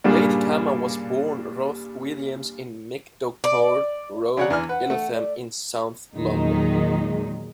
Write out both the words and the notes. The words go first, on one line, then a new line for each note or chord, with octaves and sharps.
Lady Khama was born Ruth Williams in Meadowcourt Road, Eltham in south London.
G2 A#2 C#3 G3 A#3 D4
D5
C#3 C#5 D5 F#5
E2 E3 F6
B4 F#5
A3
D5
E2 A#2 D#3 F#3 G#3 D#4